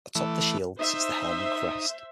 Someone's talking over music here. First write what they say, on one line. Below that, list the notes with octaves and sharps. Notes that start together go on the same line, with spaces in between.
Atop the shield sits the helm and crest.
E3 A3
D#4 C5 E5